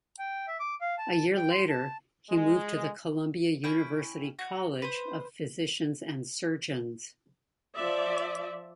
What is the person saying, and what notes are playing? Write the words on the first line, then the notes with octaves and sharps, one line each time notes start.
A year later he moved to the Columbia University College of Physicians and Surgeons.
G5
E5
D6
F5
A5
G5
C6
A5
G#3
C#4 E4 G5
F#4
B4 C5
F3 D5 E5